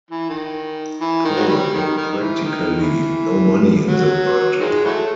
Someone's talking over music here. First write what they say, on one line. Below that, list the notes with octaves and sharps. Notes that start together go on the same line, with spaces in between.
Paul had practically no money in the world.
E3
D#3
E3
D#3
F#3
G3
D#3
D#3
E3
D#3
E3
F#3
D#3 F3 G#3
E3 F#3 A3